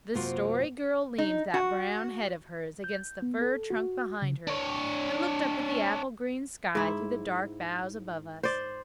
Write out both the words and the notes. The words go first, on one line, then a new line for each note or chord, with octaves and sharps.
The Story Girl leaned that brown head of hers against the fir trunk behind her, and looked up at the apple-green sky through the dark boughs above us.
F#2 C3 A#3 F4 F#4 C5
D#4
F#4
G6
B3
A4
F#4
C#3
D4 C#5
G#2 E4
C5 D5